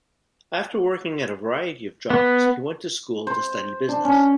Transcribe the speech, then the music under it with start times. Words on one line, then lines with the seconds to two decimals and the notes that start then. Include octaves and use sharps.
After working at a variety of jobs, he went to school to study business.
2.10 B3
3.27 C5
3.89 D4
4.05 C#4